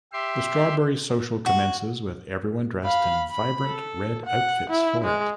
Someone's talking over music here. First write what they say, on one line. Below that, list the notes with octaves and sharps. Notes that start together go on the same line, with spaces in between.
The Strawberry Social commences with everyone dressed in vibrant red outfits for it.
G4 E5 C6
F#4
F5 B5
B5
A4
F#5
E4
G#3